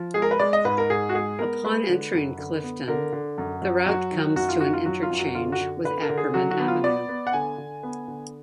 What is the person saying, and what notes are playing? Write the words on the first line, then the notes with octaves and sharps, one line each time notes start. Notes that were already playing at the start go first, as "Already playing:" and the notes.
Upon entering Clifton, the route comes to an interchange with Ackerman Avenue.
Already playing: F3
G#3 G#4
A#4
B4
G#3 D5
D#5
G#2 B4
A#4
G#2 G#4
F#4
G#3 G#4
B3 A#4
G#3 B4
D3
F#2
D3
B3
D3 A#4
D3
F#2
F#3
F#3 F#4
D#3
F#2 F#4
F4
D#3 F#4
F4
F#3 F#4
F4
F#2
F#4
D3 F4
F#4
D3
D3 B4
A#4
D3
G#4
F#3 F#4
F#4
B3
F4
B3 D5
B3
F#5
D3 G#5
D3
B3
D3